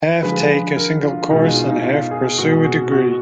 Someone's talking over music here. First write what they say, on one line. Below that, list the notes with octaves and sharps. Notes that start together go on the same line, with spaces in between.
Half take a single course, and half pursue a degree.
D3 F3 G#3 B4
A#4
F4
B2 G#3 D#4
F4
F4
D#4
F4
G#4
B2 G#3 F#4
G#4
F#4
F#4